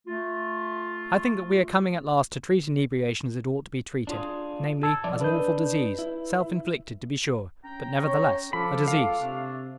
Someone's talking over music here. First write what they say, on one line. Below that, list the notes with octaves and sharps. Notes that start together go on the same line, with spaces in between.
I think that we are coming at last to treat inebriation as it ought to be treated, namely, as an awful disease, self-inflicted, to be sure, but nevertheless a disease.
A3 F4
D4 F4 G#4
A5 E6 G#6
F3 D5 E5
D4 B4 D#5 G6
E4
C#4 G5 A#5
C#5
F3 F4 A4 B5 D6
C#2 F5
C3 A3 D4